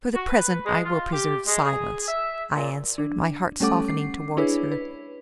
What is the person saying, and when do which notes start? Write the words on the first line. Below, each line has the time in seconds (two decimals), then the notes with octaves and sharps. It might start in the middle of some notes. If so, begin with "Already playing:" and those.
"For the present I will preserve silence," I answered, my heart softening towards her.
0.15 F#4
0.29 B4
0.66 G#3
0.85 F4
1.13 G4
1.47 G#3
1.65 G#4
2.08 E5
2.55 A#2
2.98 D4
3.60 G3 A3 C#4 A4 F#5 D6
3.85 D6 C7
4.37 D4 E4 G#4 B4 C#5
4.72 B4